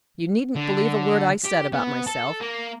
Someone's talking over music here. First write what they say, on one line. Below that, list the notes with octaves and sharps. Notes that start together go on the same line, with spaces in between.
You needn't believe a word I said about myself.
D3
G4
B3
A4
A#3